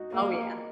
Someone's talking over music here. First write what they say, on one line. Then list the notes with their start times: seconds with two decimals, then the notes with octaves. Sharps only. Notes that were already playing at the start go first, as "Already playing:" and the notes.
Oh, yeah.
Already playing: G#3 D#4 F#4
0.12 G#3 A#3
0.35 A#4